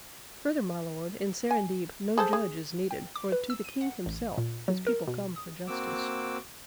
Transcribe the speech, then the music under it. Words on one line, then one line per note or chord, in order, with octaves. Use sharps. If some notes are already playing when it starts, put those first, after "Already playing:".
"Further, my lord, in Serendib no judge is needed, for to the king himself his people come for justice."
G#5
G#4 A4 C5
G#4
G5
D6
B4
E6
D#7
F#5
A1
A#2
F#3
A#4
B2
D#6
A#3 C4 F#4 D6 E6